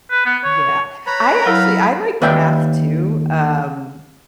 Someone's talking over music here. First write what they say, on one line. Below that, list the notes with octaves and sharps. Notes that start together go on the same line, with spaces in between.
Yeah, I actually I liked math too, um,
B4
B3
C#5
B4 C#5 A#5 B5
F#3 E4 F5
D#2 B4 D5 E5 G5